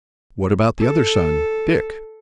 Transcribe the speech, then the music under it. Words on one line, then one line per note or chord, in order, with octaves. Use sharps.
"What about the other son--Dick?"
A4